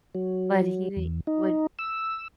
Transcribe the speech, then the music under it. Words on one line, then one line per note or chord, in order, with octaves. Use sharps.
But he would
F#3
E2
D#4
E6